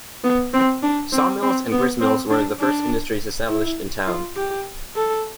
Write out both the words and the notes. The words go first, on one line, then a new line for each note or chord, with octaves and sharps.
Saw mills and gristmills were the first industries established in town.
B3
C4
D4
C4
C4
B3
C4
D4
D4
E4
F4
G4
A4